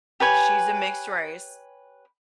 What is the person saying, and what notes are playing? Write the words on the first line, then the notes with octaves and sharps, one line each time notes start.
she's a mixed race,
G4 B4 C#5 G#5